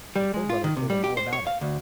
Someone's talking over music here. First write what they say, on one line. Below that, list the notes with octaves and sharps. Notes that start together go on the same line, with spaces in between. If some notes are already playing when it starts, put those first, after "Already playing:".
The Poor Brother told him all about it.
G3
G#3
F4
D#3
C3
G3
G4
C5
C#5
F5
D2